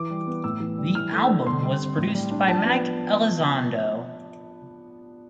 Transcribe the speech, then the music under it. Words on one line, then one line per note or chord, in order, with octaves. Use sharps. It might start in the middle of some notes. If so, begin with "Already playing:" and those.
The album was produced by Mike Elizondo.
Already playing: E3 D6
G3
B3
A2 E6
E3
G3
E3 F6
A3
E6
D4
D3 C6
G3
C4
A2
G3
D4
F3 A5
B3